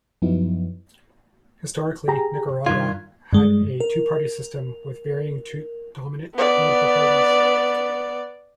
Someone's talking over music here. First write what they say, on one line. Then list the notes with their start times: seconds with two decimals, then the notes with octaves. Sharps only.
Historically, Nicaragua had a two-party system, with varying two dominant political parties.
0.22 F#2 F3 F#3 B3 D#4 E4
2.08 G4 G#4 A#5
2.66 G2 D#3 F4 G#6
3.33 G2 G#3
3.80 A#4
6.35 B3 D5